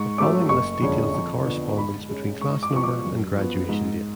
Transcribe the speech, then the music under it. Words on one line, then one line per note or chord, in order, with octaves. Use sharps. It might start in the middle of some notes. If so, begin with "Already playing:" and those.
The following list details the correspondence between class number and graduation date.
Already playing: G#2 C#6
F#3 A3 C#4 D6
F#1 C#6
F2 D3 G#3 C#4
F2
D3 F3 B3
G#2 B5
G#3 C#4
G#2 C#6
D6
F3 B3 C#6
D6
F#2
F3 B3
G#2